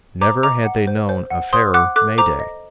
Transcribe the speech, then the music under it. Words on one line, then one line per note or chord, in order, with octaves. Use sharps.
Never had they known a fairer May-day.
C5 A#5 D6
D#5 A#5 D6
F#5
C5
C5
F#5
C5 C6 D#6
F#5 D6 F#6
A4 D6 F#6
C5 A#5 D6
D#5